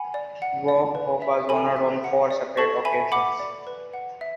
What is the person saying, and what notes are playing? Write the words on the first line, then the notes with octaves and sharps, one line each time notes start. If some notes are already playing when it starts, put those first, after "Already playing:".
Bob Hope was honored on four separate occasions.
Already playing: F#5 G#5 B5
D5
F#5
D5
B4
E5
A4 G#5 B5
E5
F#5
D5
A4 A5 C#6
E5 G#5 B5
F#5 B5 D6
D5
B4
F#5
E5